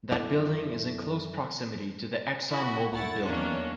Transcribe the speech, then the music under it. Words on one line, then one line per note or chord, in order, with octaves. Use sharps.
That building is in close proximity to the ExxonMobil Building.
F#2 E4 A4 D5
E4 F#4
D2 E4 F#5 A6
E2 D#3 F#3 A#3 C#4 D4